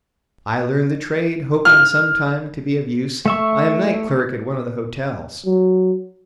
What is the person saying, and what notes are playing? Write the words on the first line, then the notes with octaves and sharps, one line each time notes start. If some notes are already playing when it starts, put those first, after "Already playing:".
I learned the trade, hoping some time to be of use, I am night clerk at one of the hotels.
F6
A3 E5 C#6
F#3